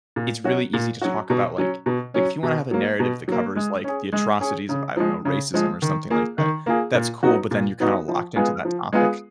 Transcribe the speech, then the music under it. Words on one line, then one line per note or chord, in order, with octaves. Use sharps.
it's really easy to talk about, like like, if you want to have a narrative that covers, like, the atrocities of, I don't know, racism or something like that, that's cool, but then you're kinda locked into that topic.
A#2
F#3 C#4 F#4
A#2
F#3 C#4 F#4
B2
F#3 C#4
B2
F#3 C#4
B2
F#3 A#3
B2
F#3 A#3
G#3
C#4 G#4
G#3
C#4 G#4
C#3
F3 G#3
C#3
F3 G#3
D#3
A#3 F4 G#4
D#3
A#3 F4 G#4
A#2
F#3 B3 D#4 F#4
A#2
F#3 B3 D#4 F#4
F3
G#3 B3 F4 G#4
F3
G#3 B3 F4 G#4